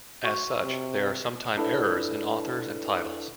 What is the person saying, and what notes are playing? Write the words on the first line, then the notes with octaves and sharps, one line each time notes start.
As such, there are sometime errors in authors and titles.
F#4 C#6
C3
D4 E4 A4 B4 D5